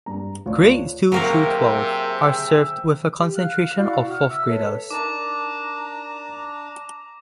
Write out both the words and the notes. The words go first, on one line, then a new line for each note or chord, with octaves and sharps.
Grades two through twelve are served with a concentration of fourth graders.
G2 A#5
D2 F4 C#5 D5
C3 F#3 A#3 G#4 A#4 C5 E5 G5
G4
F5 F6 F#6
E4 F#4 D5 F5
F#5 F6
E5 E6
A4 B4 C#5 E5
D4 D#4 A#4 A5 A#5 D6